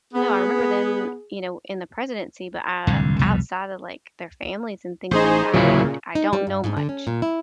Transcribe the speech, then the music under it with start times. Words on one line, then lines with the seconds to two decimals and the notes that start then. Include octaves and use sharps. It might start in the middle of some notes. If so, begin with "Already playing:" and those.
know, I remember them, you know, in the presidency, but, uh, outside of, like, their families and things like that, I d I don't know much.
0.14 B3 G#4
2.87 D1 C2 F2 D3
3.19 C2 F2 B2 G3
5.11 A1 D#4 G#4 C5
5.54 D1 E2 A#2 C#3 F#3 E4
6.15 D#4
6.33 G3
6.47 G2
6.64 G#2
6.77 D3
6.89 C#4
7.07 A#2
7.22 E4